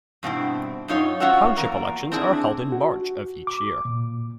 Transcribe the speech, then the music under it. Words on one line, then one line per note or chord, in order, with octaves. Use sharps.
Township elections are held in March of each year.
G2 B2 C4 E4
F#2 D#4 F4 C#5
C#4 F4 F#4 C#5 E5 F#5
E2 A#3 A#5
C4 D4 E4 G#4
F#4
D6
A#2